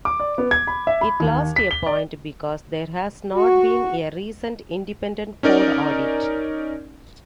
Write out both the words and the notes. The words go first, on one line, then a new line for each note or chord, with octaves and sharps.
It lost a point because there has not been a recent independent code audit.
D6
D5
B3
G#6
B5
E5
B5
D#2
B6
G7
D5
F#4
C#4 D#4 A#4 D5